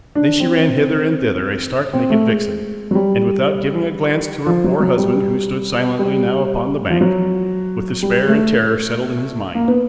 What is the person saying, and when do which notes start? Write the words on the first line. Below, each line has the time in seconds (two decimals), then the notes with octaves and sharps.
Then she ran hither and thither a stark naked vixen, and without giving a glance to her poor husband who stood silently now upon the bank, with despair and terror settled in his mind.
0.15 D4
0.40 C4
1.93 C4
2.10 A3
2.26 G#3
2.91 F#3
2.95 G3
4.47 F3
4.64 F#3
4.80 F#3
4.98 G3
5.99 G3
6.90 F3
7.01 F#3
8.03 G3
8.27 A3
9.55 A#3
9.68 B3